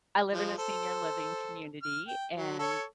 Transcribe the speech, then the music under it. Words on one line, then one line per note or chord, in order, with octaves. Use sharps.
I live in a senior living community, and,
F3 G#3
A4 C5
F6
G5
F#3
A4 C#5